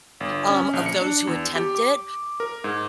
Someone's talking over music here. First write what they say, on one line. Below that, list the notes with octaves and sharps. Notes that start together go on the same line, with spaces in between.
um, of those who attempt it
G1
C#4
A#1
C#7
D4
E2
G4
D6
A#4
G#2